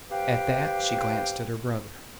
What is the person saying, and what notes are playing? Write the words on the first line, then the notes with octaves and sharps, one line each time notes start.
At that, she glanced at her brother.
G4 B4 C5 F5 G5